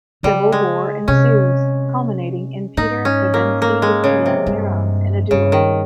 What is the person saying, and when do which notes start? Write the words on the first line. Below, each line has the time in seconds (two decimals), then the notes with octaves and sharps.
Civil war ensues, culminating in Peter Pevensie defeating Miraz in a duel.
0.23 C#3 G3
0.52 G#3
1.08 C3 C#4
2.77 G#2 D#4
3.05 C#4
3.34 A#3
3.62 A#3
3.82 G#3
4.04 C#3
4.26 C3
4.46 G2
5.31 G2 C#3
5.52 D#3